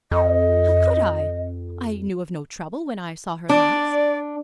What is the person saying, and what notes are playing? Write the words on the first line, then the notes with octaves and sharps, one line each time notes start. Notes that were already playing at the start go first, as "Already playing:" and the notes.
"How could I? I knew of no trouble when I saw her last."
F2 D#5
D4 D5